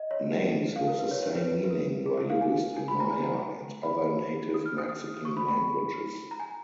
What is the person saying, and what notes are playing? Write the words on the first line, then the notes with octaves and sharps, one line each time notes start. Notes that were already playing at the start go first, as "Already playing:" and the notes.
Names with the same meaning were used in Maya and other native Mexican languages.
Already playing: D#5
C#5
F5
A#4
B4
C#5
C#5
B4
B4
A#4
G#4
A#4
F5
G#5
G#5
B5
A#5
B5
D#6
F6
D#6
D#6
C#6
B5
B5
A#5
G#5